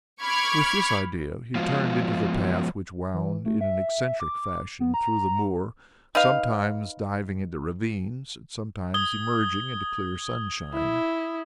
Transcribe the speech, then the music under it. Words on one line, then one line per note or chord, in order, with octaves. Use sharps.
With this idea he turned into the path which wound in an eccentric fashion through the moor, sometimes diving into ravines, and sometimes emerging into clear sunshine.
B5 C#6 D6 F6 G#6
F3 G#3 B3 F4 F#4 F5
E3
A3
E5
D6
B3
A#5
D#4 B4 F5
D#6 G#6 G7
E4